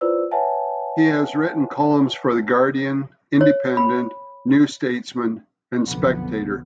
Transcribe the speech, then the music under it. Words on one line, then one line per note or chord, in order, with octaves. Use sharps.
He has written columns for the Guardian, Independent, New Statesman and Spectator.
E4 F4 B4 C5 D5 E6
B4 C#5 E5 F#5 G#5 A5
C#5
B5
F#1 B1 F2 D3 F3 B3